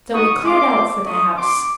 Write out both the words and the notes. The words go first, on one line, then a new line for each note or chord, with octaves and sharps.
So we cleared out for the house.
B3 D#4 F#4 C#6 D#6
G#3 C4 F4 C6 D6
A3 C4 F4
A3 D4 F4 C#6 D#6
B3 D4 F#4 C6 D6